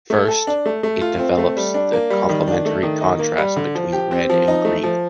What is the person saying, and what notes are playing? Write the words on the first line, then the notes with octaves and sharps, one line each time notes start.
First, it develops the complementary contrast between red and green.
A3
A4
D4
A3
A3
F4
C4
A3
G3
D4
A#3
G3
D#3
D4
A3
D#3
D#4
A#3
G3
D3
F3
G4
C4
F3
D#4
A3
F3